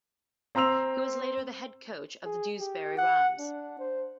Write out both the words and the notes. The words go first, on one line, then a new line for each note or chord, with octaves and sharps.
He was later the head coach of the Dewsbury Rams.
C4 A#5 C6 E6 F7
G#4
G4
F#5
D4
C5